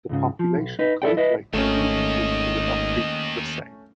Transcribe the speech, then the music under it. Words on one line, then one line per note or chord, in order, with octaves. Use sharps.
The population growth rate between the two is roughly the same.
C#2 G#2 C#3
F3
B1
D#4 B4
E4 A4 D5 G5
E4 B4 D#5
G#1 D#2 D#3 A3 C#4 D#5